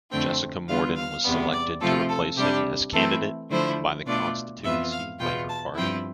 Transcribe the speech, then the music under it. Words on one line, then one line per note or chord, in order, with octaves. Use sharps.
Jessica Morden was selected to replace him as candidate by the Constituency Labour Party.
F2 D3 A3 C4 G5
D3 G3 B3 F4 F5
F5
E2 C3 G3 B3
D5
C3 F3 A3 C4 F4 A4
A4
C3 G3 D4 G4
E3 A3 C4 E4 A4
D3 F3 A3 E4 C5
B2 A3 D4 F4 D5
F2 E3 B3 F4 E5
F5
E2 B2 B3 F4 G5
A5
G2 F3 C4 E4 G5